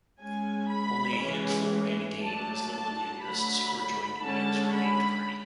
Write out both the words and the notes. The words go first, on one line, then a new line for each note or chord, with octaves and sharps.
Only a handful ran again as Liberal-Unionists or joined Meighen's renamed party.
G#3 C#4 G#5
B5
E3 G#3 C#4
F#3 A3 D4 A5
A5
D3 F#3 A3 B5
D3 G#3 C#4 A5
B5